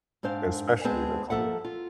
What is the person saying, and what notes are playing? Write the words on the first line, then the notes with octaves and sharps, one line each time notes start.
especially the clothing.
G#2 C4 D4 C5 F5
G#3 B3 C4 G#4 C5 A5
F3 A#3 A4 E5 F#5
F4